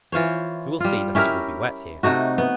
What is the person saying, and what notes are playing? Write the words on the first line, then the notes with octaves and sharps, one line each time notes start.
You will see that it will be wet here!
E3 F4 C5 C#5
G3 F4
C#4 E4 G4 A#4
C3 A3 D#4 F#4
B3